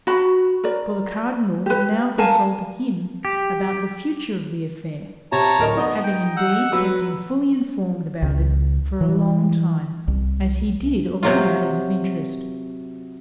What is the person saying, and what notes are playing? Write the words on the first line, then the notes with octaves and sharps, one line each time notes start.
For the cardinal now consulted him about the future of the affair, having indeed kept him fully informed about it for a long time, as he did of all matters of interest.
F#4 B5
A#4 D5
G4 B4
A#4 F5 G#5 A5
G4
C3 C#5 A5 A#5
D1 A#4 D#5
B3 D#4 D#5
G5
F#5 E6
F#3 F#4 B4 E6
C#2
E3
C2
C3 F#3 F4